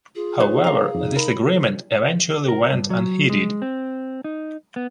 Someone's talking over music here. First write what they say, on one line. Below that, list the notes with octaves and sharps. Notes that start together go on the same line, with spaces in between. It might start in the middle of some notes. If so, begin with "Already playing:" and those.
However, this agreement eventually went unheeded.
F4 G#4
D#4 B4 C#5
F5 A#5
F2 D#4
A#4 B5
A#4
G2
F#3
G#3
C4
D#4
B3